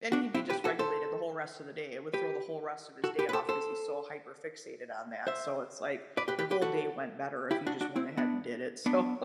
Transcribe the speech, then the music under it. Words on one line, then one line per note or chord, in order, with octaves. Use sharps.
Then he'd be dysregulated the whole rest of the day. It would throw the whole rest of his day off because he's so hyper fixated on that, so it's like, your whole day went better if you just went ahead and did it, so,
D4 F#4
C4 E4
G4 B4
F#4 A4
A4 C5
G4 B4
F#4 A4
G4 B4
B4
A4 C5
A4 C5
C5 E5
B4 D5
G4 B4
G4 B4
G4 B4
F#4 A4
E4 G4
D4 F#4
D4 F#4
C4 E4
B3 D4
B3 D4